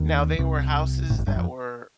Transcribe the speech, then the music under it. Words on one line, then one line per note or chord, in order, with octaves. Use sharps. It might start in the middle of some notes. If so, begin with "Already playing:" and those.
Now, they were houses that were
Already playing: D#2 D#3
C2 C3
A1 A2
G#1 G#2
G1 G2
F2